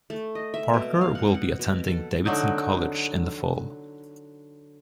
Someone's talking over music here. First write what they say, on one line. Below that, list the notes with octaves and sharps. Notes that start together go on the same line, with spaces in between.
Parker will be attending Davidson College in the fall.
A3
D#5
E5
B2
F5
F#5
F#5
B2
A4
D3 F#3 D#4